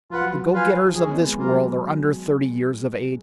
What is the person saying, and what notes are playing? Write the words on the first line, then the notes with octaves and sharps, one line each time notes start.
The go-getters of this world are under thirty years of age.
F3 F4 B4 F#5
F#3
F#3
F3
F4 B4 F5 G#5
F3
D#3 G#3 C#4 G#4
B3
G#3
F#3 A#3 F4 A#4